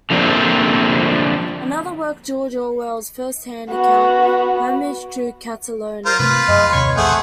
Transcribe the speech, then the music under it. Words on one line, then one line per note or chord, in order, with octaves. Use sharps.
Another work George Orwell's first-hand account, "Homage to Catalonia".
D3 F3 G3 A3 A#3 C4
B3 F#4
F4 A#4 C5
C3 G#3 A3 F4 B4
F#2 G#3
D#2 C3 C#5 C#6
A#1 E2 A3 G#4 C5 F#5